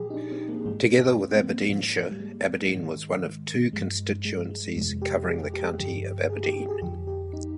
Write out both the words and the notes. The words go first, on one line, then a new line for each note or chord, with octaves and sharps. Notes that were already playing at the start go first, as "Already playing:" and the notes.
Together with Aberdeenshire, Aberdeen was one of two constituencies covering the county of Aberdeen.
Already playing: A#2 F3 G4 G#4
D#4
D4
C4
A#3
G#2 F3 G#3
C4
C4
A#3
G#2 F3
G3
G#3
G#2 D#3
G2 F3 G#3
G#3
G#3
F2 C3 F3 G#3
G4
G#4
G4
G2 D3 F3 G4
G#4
G4
G4
G#4
F2 D3 F3 G4
G4
D#4